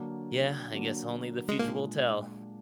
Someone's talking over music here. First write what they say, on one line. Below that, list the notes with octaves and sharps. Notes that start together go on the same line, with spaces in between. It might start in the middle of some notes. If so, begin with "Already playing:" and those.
Yeah, I guess only the future will tell.
Already playing: D3 F#3 A#3 D4
D3 F#3 A#3 D4
G#3
A#2 G#3 A#3 D4